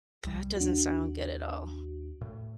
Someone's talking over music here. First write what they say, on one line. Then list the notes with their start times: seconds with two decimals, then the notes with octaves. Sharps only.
That doesn't sound good at all.
0.24 C2 G3
0.56 D#2 D4 F#4
2.21 A2